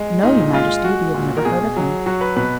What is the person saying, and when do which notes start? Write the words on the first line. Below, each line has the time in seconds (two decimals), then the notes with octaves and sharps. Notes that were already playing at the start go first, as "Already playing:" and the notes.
'No, your majesty, we have never heard of him.'
Already playing: G#3
0.23 A#2 D#4
0.53 G#3 F4
0.84 G#3 F#4
1.14 A#2
1.37 A#4
1.45 B2 G#4
1.76 F#3
2.06 F#3 F#4
2.21 B4
2.36 B2 B4